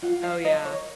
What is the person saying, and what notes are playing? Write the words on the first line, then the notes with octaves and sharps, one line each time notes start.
Oh, yeah.
F4 F#5
F5
A#4 D#5
C#5